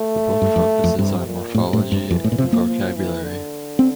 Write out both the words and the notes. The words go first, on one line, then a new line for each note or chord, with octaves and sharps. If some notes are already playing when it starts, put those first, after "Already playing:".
The book focuses on morphology and vocabulary.
Already playing: A3
G2
F2
F2
G2 C3
A#2
A2 C3
A2
G2
F2 E3
A2
A#2
C3 F3
A#3
F3
E3
D3
C4